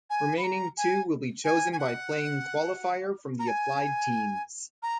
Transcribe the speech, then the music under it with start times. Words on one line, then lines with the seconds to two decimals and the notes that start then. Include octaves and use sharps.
Remaining two will be chosen by playing qualifier from the applied teams.
0.10 G#5
0.37 B5
0.43 A#5
0.77 G#5
1.44 G#5
1.72 G#5
1.79 F#5
3.39 A#5
3.47 G#5
4.82 A#5